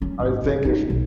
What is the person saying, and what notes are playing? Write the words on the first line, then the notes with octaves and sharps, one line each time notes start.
I think i
C#4
G#1
E3
D#4
B1